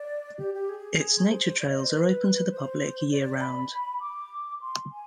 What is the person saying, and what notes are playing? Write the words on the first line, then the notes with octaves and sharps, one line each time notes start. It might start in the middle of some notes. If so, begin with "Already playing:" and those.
Its nature trails are open to the public year-round.
Already playing: D5
G4
G4
G#4
C5
D5
D#5
C5
B4
C5
D5
B5
D6
C6
G#5